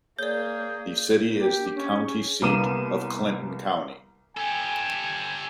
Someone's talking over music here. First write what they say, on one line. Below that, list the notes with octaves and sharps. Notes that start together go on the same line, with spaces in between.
The city is the county seat of Clinton County.
A#3 G#4 C#5 D5 G6
A#3
G4
D4
C#4
G#4
C2 A#3 B3 D6 D#7 E7
G4 A4 G#5